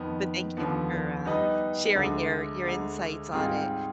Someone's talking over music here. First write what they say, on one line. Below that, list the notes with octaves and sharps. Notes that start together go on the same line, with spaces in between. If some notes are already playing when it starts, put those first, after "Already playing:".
but thank you for, uh, sharing your your insights on it,
Already playing: F2 D#3 B3
D#2 D3 F3 B3
G3 B3 D#4 B4 D#5
D2 D3 G#3
D2 D3 G#3
G#2 G3 C4 F4 G#4